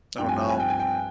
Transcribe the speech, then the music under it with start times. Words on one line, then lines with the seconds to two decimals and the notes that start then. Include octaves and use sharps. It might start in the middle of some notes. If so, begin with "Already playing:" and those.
Oh, no.
0.18 G2 F3 C4 G5
0.29 G#5
0.39 G5
0.49 G#5
0.60 G5
0.70 G#5
0.80 G5